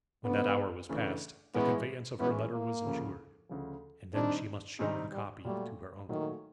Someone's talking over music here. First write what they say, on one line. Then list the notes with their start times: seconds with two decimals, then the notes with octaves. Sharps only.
When that hour was passed, the conveyance of her letter was insured, and then she must show the copy to her uncle.
0.24 C#3 E3 A3 B3 D4
0.89 C#3 E3 A3 D4
1.54 A2 E3 G#3 B3 C#4 E4
2.19 A2 E3 G#3 B3 C#4 E4
2.51 A#3
2.84 D2 C#3 F3
3.49 D2 C#3 F3
4.14 C3 D#3 G3 C4 D4 D#4
4.79 C3 D#3 G3 G#3 C4 D#4
5.12 G3
5.45 A#2 F#3 G3 A3
6.09 A#2 D#3 F#3 A3